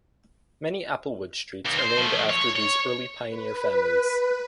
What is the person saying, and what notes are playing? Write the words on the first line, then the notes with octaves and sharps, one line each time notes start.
Many Applewood streets are named after these early pioneer families.
D#2
C5
F3 A3
C#5
C#5
B4